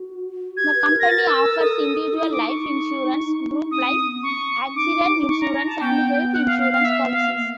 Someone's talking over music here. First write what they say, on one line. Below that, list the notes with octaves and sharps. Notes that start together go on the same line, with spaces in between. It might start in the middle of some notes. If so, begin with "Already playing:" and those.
The company offers individual life insurance, group life, accident insurance, and health insurance policies.
Already playing: F#4
G4 G#6
B4
A#4
A#6
A6
E6
E6
A4 D#6
D#4 D#6
E4
D#4 D6
C#6
C#4 D#6
C4
B3
C#4 C#6
D#4 D6
C#6
A#5
A#5
A5
B3 G5
F#5
F5
F5
F5
E5
F5
A#3